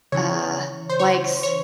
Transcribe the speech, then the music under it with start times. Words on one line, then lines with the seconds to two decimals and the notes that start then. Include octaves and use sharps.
uh, likes
0.12 C#3 E3 C#5
0.89 C5
0.99 C#5
1.43 C#5